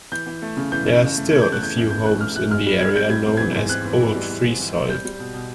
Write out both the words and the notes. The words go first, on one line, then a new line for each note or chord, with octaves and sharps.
There are still a few homes in the area now known as "Old Freesoil".
E3 G6
E3
A3
C#3
E3 G6
C#3
C#3
A3
C#3 G#6
A3 G6
F#6
E3 G6
F#2
E3 G6
A3 F#6
E3 F6
F#2 F#6
G#2 F6
G3
G3 G#6
C4 G6
G3 G#6
C4
E3 G#6
G#2
C4 F#6
E3
E3
G3
E3
C4
E3
C4
G3 G6
G3
B2
B2